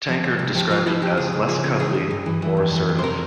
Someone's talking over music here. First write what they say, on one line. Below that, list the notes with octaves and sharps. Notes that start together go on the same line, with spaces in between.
Tankard described it as less cuddly, more assertive.
F3
C2
C2
F3 G4
F3 F4
F3 E4
F3 G4
C#2 G#4
C#2
F3 G#4
C#3
E3 G#4
E3
G2
E3
E3
F2
E3
F2
C5
C3 A#4